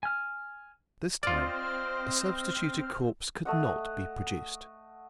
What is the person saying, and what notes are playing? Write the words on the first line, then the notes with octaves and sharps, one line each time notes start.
This time a substituted corpse could not be produced.
G#5 F6
C4 F4 C5 D5 D#5 F6
A3 D#5 F#5